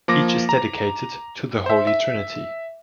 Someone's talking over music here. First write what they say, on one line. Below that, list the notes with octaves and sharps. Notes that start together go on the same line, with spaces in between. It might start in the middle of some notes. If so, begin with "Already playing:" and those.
Each is dedicated to the Holy Trinity.
F3 A#3 D6 A#6
A#5
C5 E5
E5